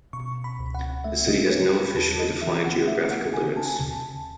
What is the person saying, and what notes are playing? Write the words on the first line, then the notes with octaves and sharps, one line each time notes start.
The city has no officially defined geographical limits.
B2 C#6
B5
C#2
F#5
A3 E5
D#5
B4
A3 C#5
B5
E2 A5
D#5
E3 E5
F#5
A3 E5
F#5
C#3 G#5
A5
G#5
D#2 A5